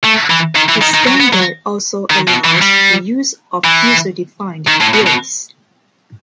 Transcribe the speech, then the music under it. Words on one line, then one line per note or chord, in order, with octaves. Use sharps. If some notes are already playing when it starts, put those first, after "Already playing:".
The standard also allows the use of user-defined fields.
A3
E3
D#3
E3
D#3
D#3
F#3
B3
F#3
D#3
B2
E3
G3
E3
D#3
A2
B2
B2